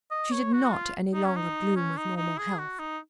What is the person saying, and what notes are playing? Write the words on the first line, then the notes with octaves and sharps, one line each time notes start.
She did not any longer bloom with normal health.
D#5
C#5
F#4
F4
D#4
C#4
D#4
C#4
D#4
D#4
G#4
F#4
D#4